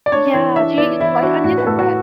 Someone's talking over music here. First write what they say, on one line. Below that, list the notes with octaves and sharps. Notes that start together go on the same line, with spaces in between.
Yeah, do you use white onion or red?
D5
D4 C#5
E3 C#5
D4 E5
B3 D5
E3 E4
D4 F#4
A2 F#4
B4
A2 A4
F#4